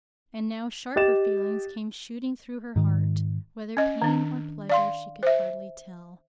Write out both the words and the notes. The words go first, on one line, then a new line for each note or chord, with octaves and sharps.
And now sharper feelings came shooting through her heart, whether pain or pleasure she could hardly tell.
G4 D#5 A6 E7
G#2 D#3
C#4 D#5
D#3 D4
D5 F5 C6
C5 E5